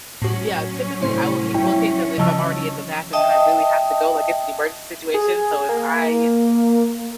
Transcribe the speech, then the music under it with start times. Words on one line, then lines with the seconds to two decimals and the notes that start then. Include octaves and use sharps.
yeah, typically, I will keep looking 'cause if I'm already in the bathroom, then I really have to go, like it's an emergency situation. So if I
0.22 A2 F#3 C#4 F#4
1.02 A2 C3 C5
1.55 E4 G5
2.18 C#3 E3 F3 D#5 A5 E6
3.13 D#5 E5 G5 A5 D#6
5.14 G#4
5.69 A#3